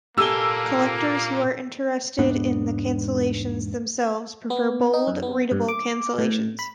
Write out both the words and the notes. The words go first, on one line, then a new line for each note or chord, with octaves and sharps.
Collectors who are interested in the cancellations themselves prefer bold, readable cancellations.
A#2 A#3 G4 A4 G#5 E6 G7
E1 G#2 B3 D4
B3
D#4
F#2
B3
G2
D6
A2
B5